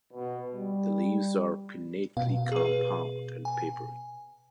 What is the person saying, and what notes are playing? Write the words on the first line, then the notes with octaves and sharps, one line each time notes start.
The leaves are pinnately compound and papery.
B2
G3
B2 F5
G#4 B4
G#5